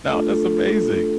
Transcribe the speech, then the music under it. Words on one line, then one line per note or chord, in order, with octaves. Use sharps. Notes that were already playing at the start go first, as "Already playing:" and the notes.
No, that's amazing.
A3 D4 F4 A4
A4
A4